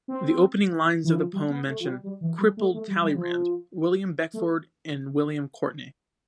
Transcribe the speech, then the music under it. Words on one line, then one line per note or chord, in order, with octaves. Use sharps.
The opening lines of the poem mention "crippled Talleyrand", William Beckford and William Courtenay.
C4
E3
F3
G3
B3
A3
F3
G3
G3
E3
G3
A3
A3
G3
G3
F3
A3